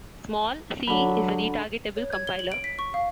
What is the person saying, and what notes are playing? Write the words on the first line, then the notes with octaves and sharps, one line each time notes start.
Small-C is a retargetable compiler.
D3 F#3 B5
C#5
G#6
G7
F#7
D7
B6
C#6
F5